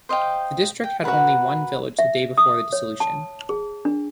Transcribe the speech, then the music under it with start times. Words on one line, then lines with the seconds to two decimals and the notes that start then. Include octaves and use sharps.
The district had only one village the day before the dissolution.
0.09 C5 D#5 F5 G5
0.84 G5
1.04 F#4 A#4 B4 F#5
1.99 E5
2.38 D#6
2.73 C#5
3.00 A5
3.49 G#4
3.85 D4